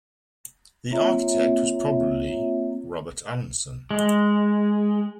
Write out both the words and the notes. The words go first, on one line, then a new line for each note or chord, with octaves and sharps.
The architect was probably Robert Allanson.
A#3 C4 F4 C#5 E5 A#5
G#3